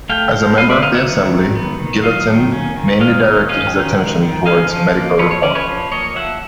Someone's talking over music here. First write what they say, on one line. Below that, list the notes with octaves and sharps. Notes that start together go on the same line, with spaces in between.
As a member of the assembly, Guillotin mainly directed his attention towards medical reform.
A3 F5 G5
F3
B3 D#5 F5
D5 E5
D#3 D#5 F5
E5 F#5
F#3
D#3
B3
D#3
F#3 D#5 F5
D#3
C#4
D#3
G#3 D#5 F5
D#3
C#4 D#5 F5
D#3
G#3
D#3
C#4 D#5 F5
F3
A#3
F3 B4 C#5
C#5
C#4 D5
B4 C#5
F3
A#3 C#5 D#5
F3 E5 F#5